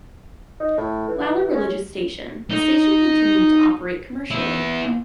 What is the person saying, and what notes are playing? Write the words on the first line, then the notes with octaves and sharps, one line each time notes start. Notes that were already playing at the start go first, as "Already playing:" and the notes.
While a religious station, the station continued to operate commercially.
D#4
A2
E3
C#4
D#4
B3 E4